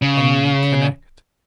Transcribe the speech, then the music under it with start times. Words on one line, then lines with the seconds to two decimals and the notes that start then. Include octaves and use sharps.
Only connect!
0.02 C#3